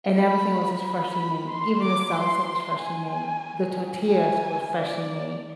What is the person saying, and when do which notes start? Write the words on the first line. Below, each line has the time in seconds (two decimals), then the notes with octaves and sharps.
and everything was just freshly made. Even the salsa was freshly made, the tortillas were freshly made,
0.20 B5
0.85 B5
1.49 C6
1.83 D6
2.15 C6
2.80 G#5
4.10 G#5
4.76 D5